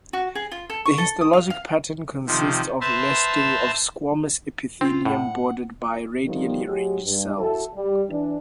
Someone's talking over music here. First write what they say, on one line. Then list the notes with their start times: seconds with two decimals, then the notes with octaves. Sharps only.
The histologic pattern consists of nesting of squamous epithelium bordered by radially arranged cells.
0.13 F#4
0.35 G#4
0.51 F4
0.70 A4
0.86 C#6
0.98 A4
1.21 D#6
1.33 F5
1.50 F5
2.27 C3 D#3 F3
2.81 B4 C5 E5 A5 A#5 C6
4.81 C4 F4
5.05 A2 F#5
6.24 D3 D#3 F3 G3
6.66 F#3 G#3 G4
7.04 G2
7.37 E4 F#4 A4
7.74 G3
8.09 E3 D4